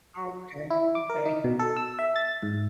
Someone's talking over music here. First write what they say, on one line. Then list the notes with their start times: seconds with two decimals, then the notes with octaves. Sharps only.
Okay, okay.
0.70 E4
0.95 D6
1.10 A#4
1.26 D#4
1.44 B2
1.59 A4
1.77 E6
1.99 E5
2.16 A6
2.43 G#2